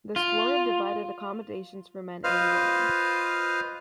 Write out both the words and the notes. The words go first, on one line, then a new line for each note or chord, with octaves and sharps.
This floor had divided accommodations for men and women.
F4
F4 B4 C5 D#5 F5 F6